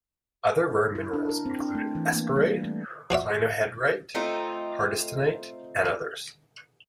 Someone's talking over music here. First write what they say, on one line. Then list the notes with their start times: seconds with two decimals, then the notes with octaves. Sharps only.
Other rare minerals include esperite, clinohedrite, hardystonite, and others.
0.95 E4
1.13 D4
1.29 A#4
1.46 C4
1.60 D4
1.75 A3
1.95 E3
2.13 A#3
2.36 G3
2.64 A3
3.10 F3 F#4 D5 E5
4.14 A3 C4 D#4 F4